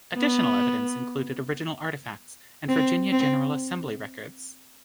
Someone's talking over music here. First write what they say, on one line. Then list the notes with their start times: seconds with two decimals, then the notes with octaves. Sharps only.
Additional evidence included original artifacts and Virginia General Assembly records.
0.15 B3
2.68 C4
3.12 C4